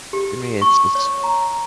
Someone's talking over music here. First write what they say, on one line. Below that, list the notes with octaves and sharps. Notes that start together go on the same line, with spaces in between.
For me, it's it's
G4
C#6
C#5
A#5